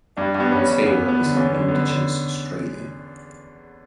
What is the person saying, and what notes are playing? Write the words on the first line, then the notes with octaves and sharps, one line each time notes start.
Taylor is an Indigenous Australian.
G2 D4
G2 B3
G2 C#4
G2
E2 B3
E2
B3
D3
E2 C#4
D3 C#4
D3 B3
C#4
D3